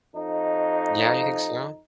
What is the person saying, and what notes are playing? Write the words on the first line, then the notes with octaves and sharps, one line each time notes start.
Yeah, you think so?
F2 D#4